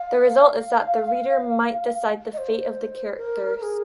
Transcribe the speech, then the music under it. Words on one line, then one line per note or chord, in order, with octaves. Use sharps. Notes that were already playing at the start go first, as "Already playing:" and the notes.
The result is that the reader might decide the fate of the characters.
Already playing: F5
D#5
C5
A#4
A#4
G#4